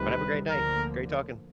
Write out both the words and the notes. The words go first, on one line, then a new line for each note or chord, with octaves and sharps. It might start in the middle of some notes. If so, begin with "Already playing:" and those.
But have a great night. Great talking.
Already playing: D2 C3 D#3 G3 B4
D2 D3 F3 A#3 A#4